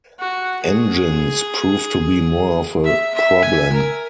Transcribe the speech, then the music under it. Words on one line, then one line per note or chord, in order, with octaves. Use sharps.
Engines proved to be more of a problem.
F#4
G#4
E5
E5
G#5
A#4